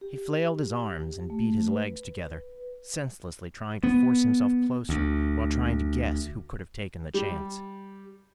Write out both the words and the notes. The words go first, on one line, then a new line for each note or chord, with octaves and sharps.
He flailed his arms and beat his legs together, senselessly trying to force himself closer, while trying to guess who could have taken the chance.
G4
A3
B4
B3
D2
G3